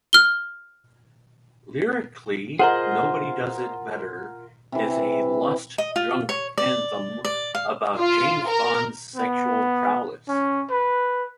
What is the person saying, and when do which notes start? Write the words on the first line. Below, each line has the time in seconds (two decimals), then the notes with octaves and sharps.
Lyrically, "Nobody Does It Better" is a "lust-drunk anthem" about James Bond's sexual prowess.
0.13 F6 G7
2.59 F4 G#4 A#4 C5 D#5 F#5
4.72 C3 E3
5.78 D#5
5.96 F4
6.29 C#5
6.58 D5
7.25 D5
7.55 F5
7.99 F4
8.47 A#4
9.16 B3
10.28 C#4
10.70 B4